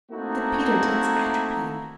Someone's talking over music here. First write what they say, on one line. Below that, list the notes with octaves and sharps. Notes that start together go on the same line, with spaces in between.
'That Peter takes atropine.'
A3 A#3 C4 D#4 E4 F#4